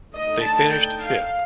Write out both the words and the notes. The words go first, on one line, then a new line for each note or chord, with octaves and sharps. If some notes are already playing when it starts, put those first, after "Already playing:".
They finished fifth.
D3 A3 D#4 D#5
A5
G5
F5